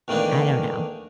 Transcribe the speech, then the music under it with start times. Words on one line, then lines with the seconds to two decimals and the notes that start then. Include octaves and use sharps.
I don't know,
0.08 E2 D#3 A3 A#3 D4 D#4